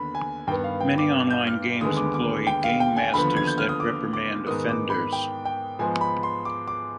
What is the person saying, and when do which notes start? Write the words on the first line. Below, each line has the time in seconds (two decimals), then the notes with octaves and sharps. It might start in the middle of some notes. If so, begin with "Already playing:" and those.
Many online games employ gamemasters that reprimand offenders.
Already playing: D#2 D3 B3 B5
0.15 G#5
0.47 G2 D#3 B3 G5
0.64 F5
0.81 G5
0.98 D6
1.30 G6
1.47 F6
1.81 D#2 D3 G#3 B3 D#6
1.97 D6
2.14 D6
2.47 G5
2.64 F5
2.80 G5
2.96 G#5
3.13 D#2 D3 F3 B3 B5
3.37 G#6
3.47 G6
3.58 F6
3.69 D#6
3.80 D6
4.13 D6
4.46 G#2 D#3 B3 D#6
4.69 D6
4.90 B5
5.13 G5
5.45 G5
5.79 G#2 F3 G#3 B3 G#5
6.01 B5
6.23 C6
6.45 D6
6.68 D6